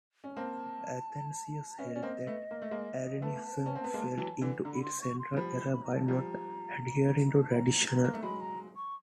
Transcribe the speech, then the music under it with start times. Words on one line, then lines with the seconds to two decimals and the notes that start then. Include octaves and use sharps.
Athanasius held that Arianism fell into its central error by not adhering to tradition.
0.24 C#4
0.36 A#3 C4 A5
1.79 B3 C#4 E5
1.87 D#5
1.95 C#4 D5
2.03 A#3 C4 D#5
2.27 A3 B3
2.51 A#3
2.62 A3
2.71 G#3 A#3
3.22 A3 B3 A5
3.66 C#4
3.75 C4
3.84 B3
3.94 G#3 A#3
4.17 E3 F#3
4.41 D3 E3
4.65 D3 A#5
4.74 B5
4.83 C6
5.01 C#6
5.19 C6
5.36 F3 G3 B5
5.73 B5
5.83 A#5
5.95 A5
6.06 F3 G3 A#5
7.39 A5
7.51 B5
7.56 A#5
7.87 A#5
7.96 B3
8.04 A#3
8.13 A3
8.22 F#3 G#3 B5
8.41 A#5
8.76 C#6